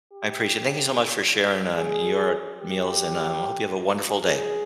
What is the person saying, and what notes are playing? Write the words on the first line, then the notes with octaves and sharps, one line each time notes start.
I appreciate it. Thank you so much for sharing, um, your meals, and, um, I hope you have a wonderful day.
G4
G#4
G4
G#4